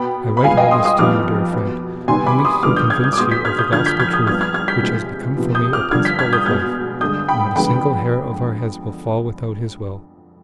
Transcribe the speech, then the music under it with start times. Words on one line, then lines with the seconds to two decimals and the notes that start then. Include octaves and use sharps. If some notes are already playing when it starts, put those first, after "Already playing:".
I write all this to you, dear friend, only to convince you of the Gospel truth which has become for me a principle of life: not a single hair of our heads will fall without His will.
Already playing: B2 B3 G5 B5
0.37 B5
0.44 G2 F3 G#3 B3 F5 G#5
0.57 D#5 G5
0.71 C6 D#6
0.85 C6 D#6
0.98 F2 D#3 G3 B3 D6 F6
1.53 B2 B3
2.08 C3 D#3 G3 B3 G#5 C6
2.26 B5 D6
2.39 D6
2.44 C6 D#6
2.63 G2 D3 F3 G#3 B3 D6 F6
2.76 D#6 G6
2.90 F6 G#6
3.04 D#6 G6
3.13 D6
3.17 B2 G#3 B3 C6 D#6
3.31 G6 B6
3.45 F6 G#6
3.59 D#6 G6
3.72 F2 D3 F3 F6 G#6
3.86 G6 B6
4.00 F6 G#6
4.13 D#6 G6
4.27 G2 F3 B3 F6 G#6
4.41 F6 G#6
4.54 F6 G#6
4.68 G6 B6
4.82 C3 F3 G#3
5.36 C3 F3 B3
5.55 D#6 G6
5.73 D6 F6
5.91 G2 D3 F3 F6 G#6
6.05 G6 B6
6.19 F6 G#6
6.33 D#6 G6
6.46 B2 G#3 B3 F6 G#6
7.01 G2 D3 G#3 D#6 G6
7.28 G5 B5
7.56 F2 D3 G#3 B3 G5 B5